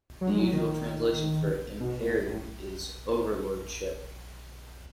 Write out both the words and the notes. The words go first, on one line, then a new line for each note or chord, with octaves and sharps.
The usual translation for "imperium" is "overlordship".
F#3
G#3
F#3
D#3
B2
A2
A2